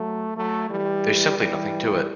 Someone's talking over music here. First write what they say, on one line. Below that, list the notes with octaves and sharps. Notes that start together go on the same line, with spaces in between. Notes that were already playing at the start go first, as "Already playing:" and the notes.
There's simply nothing to it.
Already playing: F#3 A3
F#3 A3
E3 G3
E3 G3